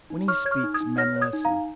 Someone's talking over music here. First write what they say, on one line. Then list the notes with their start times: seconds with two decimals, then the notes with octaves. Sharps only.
When he speaks, men listen.
0.10 D#4
0.28 C#5 C#6 F6
0.45 C#5 G#6
0.51 C#6 F6
0.63 D#4
0.74 D#6 G#6
0.80 D#4
0.98 C#5 F6 A#6
1.16 C#5
1.21 D#6 G#6
1.33 D#4
1.45 F5 A#5
1.51 D#4